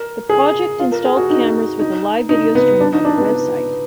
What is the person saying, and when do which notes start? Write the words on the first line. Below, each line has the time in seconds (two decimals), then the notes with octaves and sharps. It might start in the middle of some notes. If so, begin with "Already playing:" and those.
The project installed cameras with a live video stream on their website.
Already playing: A#4
0.29 G#4
0.80 F4
0.92 A#4
1.05 G#4
1.17 F#4
1.30 D#4
1.79 D#4
2.29 D#4
2.55 B3
2.80 D4
2.93 D#4
3.05 D4
3.18 B3
3.30 B3